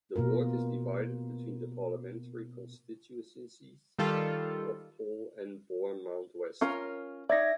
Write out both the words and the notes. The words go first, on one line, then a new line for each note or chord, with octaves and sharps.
The ward is divided between the parliamentary constituencies of Poole and Bournemouth West.
B2 A#3 F4 A#4
D#3 G3 F4 A4
C#4 F4 A#4
D#4 D5 E5 G#6 A#6